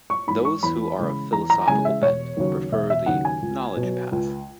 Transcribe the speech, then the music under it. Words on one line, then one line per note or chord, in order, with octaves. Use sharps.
Those who are of philosophical bent, prefer the "knowledge path".
C#6
G#2 E3 B5
C#6
E2 B5
C#3 E3 G#3
E2 A#5
A#5
C#3 E3 G#3 G#5
E5
E1 C#5
D#2 C#3 F#3
E1 E5
E5
D#2 C#3 F#3 F#5
G#5
C#2
B2
F#3
C#2